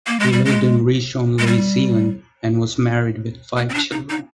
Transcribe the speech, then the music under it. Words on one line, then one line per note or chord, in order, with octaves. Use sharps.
He lived in Rishon LeZion and was married with five children.
A#3
G#3
G3
G#3
G#3
G3
A#3
C4
D4
D#4
D#4